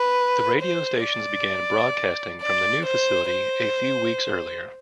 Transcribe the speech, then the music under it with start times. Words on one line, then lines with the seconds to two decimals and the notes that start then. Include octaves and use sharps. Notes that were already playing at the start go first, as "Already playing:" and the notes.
The radio stations began broadcasting from the new facility a few weeks earlier.
Already playing: B4
0.61 C5
1.06 D5
2.41 D5
2.86 C5
3.31 C5